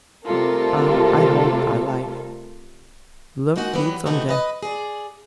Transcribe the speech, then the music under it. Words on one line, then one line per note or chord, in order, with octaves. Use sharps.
I hold thy life! Love feeds on death.
C3 G3 A3 F4 A4 A#4
G#3 A#3 D#4 F#4 F#5
E3 F#3 G3 B3
A2 C3 E3 A3 D#4 F#4
B4 D#5
G#4 D5